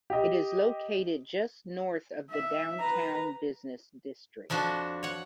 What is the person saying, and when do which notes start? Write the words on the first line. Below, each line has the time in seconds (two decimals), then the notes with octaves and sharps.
It is located just north of the downtown business district.
0.10 G4 D#5
2.31 E5
2.80 B4 A#5
4.50 F2 F3 D4 F#4
5.03 C#5 F#5